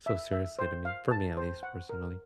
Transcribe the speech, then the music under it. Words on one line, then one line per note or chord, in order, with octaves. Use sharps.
so seriously to me for me, at least, personally.
E5
E5
C5
F5
A5
C5
F#5
A#4